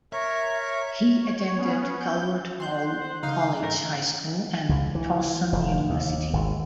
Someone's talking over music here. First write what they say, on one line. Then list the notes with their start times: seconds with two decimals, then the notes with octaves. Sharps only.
He attended Calvert Hall College High School and Towson University.
0.13 A#4 C#5 E5
1.21 C#5
1.57 B3 C#4
2.00 G6
2.60 C6 F#6 G6
3.00 C5
3.23 C#2 D#4 F5
3.62 G#2 A3 D#4 A#4
4.69 C#2
4.95 E3
5.53 F1
5.90 D#2
6.33 G#1